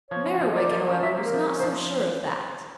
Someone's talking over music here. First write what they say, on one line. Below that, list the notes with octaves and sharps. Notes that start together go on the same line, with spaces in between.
Merriwig, however, was not so sure of that.
F3 C#5
C#4
F3
D#5
A#3 D5
F3
C#4
F3 E5
A#3
A#4
F3
C#4
C5
F3